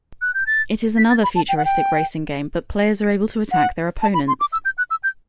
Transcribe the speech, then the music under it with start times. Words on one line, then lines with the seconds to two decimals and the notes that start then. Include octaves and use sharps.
It is another futuristic racing game, but players are able to attack their opponents.
0.21 F#6
0.34 G6
0.47 A6
0.97 B6
1.10 A6
1.23 B5
1.36 A5
1.49 G5
1.57 F#5
1.65 G5
3.51 F#5
4.02 A5
4.14 B5
4.28 C6
4.40 D6
4.53 E6
4.65 G6
4.78 F#6
4.90 E6
5.03 G6